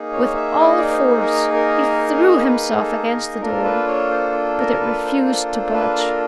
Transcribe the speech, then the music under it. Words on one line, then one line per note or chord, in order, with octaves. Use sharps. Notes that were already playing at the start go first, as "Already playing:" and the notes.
With all force he threw himself against the door, but it refused to budge.
Already playing: A#3 D#4 G#4
C#5
E5
D5
D#5
D5
C5
A#4
A#4
B4
A4
A#4
A#3 D4 F4 A4 A#4
B4
C#5
C5
A#4
B4
C5
C5
C5
B4
A#4